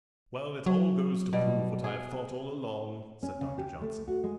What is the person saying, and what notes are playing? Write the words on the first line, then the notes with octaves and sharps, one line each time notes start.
"Well, it all goes to prove what I have thought all along," said Doctor Johnson.
F#3
B2 G3
G#4
C#4
C#3
G4
A3
F#4
G#3